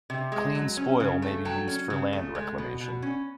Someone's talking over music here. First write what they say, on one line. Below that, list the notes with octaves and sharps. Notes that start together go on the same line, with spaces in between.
Clean spoil may be used for land reclamation.
C3
G#3
F#3
C#4
C#3
A3
F#3 G5 A5
C#4
C#3
A3
G#3
B2
B2
C#4